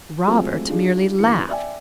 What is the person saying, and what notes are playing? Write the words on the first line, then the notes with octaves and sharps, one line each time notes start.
Robert merely laughed.
F#3 G#3 A3 C4 F4
D4 D#4 F4 G4 G#4
E1 G2 E3 C#7
D5 E5 G5 G#5